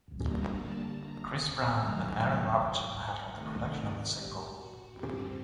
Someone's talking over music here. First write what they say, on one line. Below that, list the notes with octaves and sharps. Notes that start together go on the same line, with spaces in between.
Chris Brown and Aaron Robertson handled the production of the single.
D3 G3 A#3 D4 A#5
A5
A#5
A5
G2 D#3 F#3 A3 A#5
A5
G5
F#5
C3 D#3 A3 D#5
D5
G4
F#4
G2 D3 G3 C4 G4